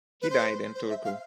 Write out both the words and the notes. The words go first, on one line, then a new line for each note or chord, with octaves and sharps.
He died in Turku.
B4
C5
C5
E5
F5